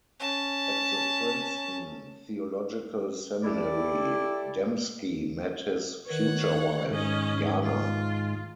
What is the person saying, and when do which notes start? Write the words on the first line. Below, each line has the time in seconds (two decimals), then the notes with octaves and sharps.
At the Princeton Theological Seminary, Dembski met his future wife, Jana.
0.20 C#4 A5
3.44 E4 G4 A4 D5
6.06 D#3 A#4 B4 C#5 F#5
6.90 G#2 C#4 D#5
7.63 F4